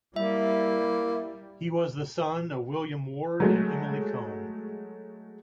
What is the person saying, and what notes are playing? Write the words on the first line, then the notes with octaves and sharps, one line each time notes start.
He was the son of William Ward and Emily Combe.
G3 A#3 E4 E5
F#3 G#3 A3